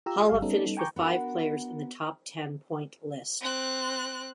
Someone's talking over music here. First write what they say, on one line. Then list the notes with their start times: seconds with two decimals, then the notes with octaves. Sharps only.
Halla finished with five players in the top ten point list.
0.06 F4 G4 A#5 E6
0.29 G1 G2 G#3 G4 F5
0.42 G3 B3 C#4 D#4 A4
0.77 G5 G#5 A#5 C#6 D6 G6
0.96 B3 D4 F#4 A#4
3.41 C4 F#6